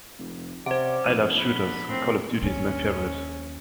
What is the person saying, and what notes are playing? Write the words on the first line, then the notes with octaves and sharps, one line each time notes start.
I love shooters, Call of Duty is my favorite.
F1
C3 C#4 C5 D5 F#5
F1 D#7
A#1 D4 F#5 B5
A2 C4
D#2 C#4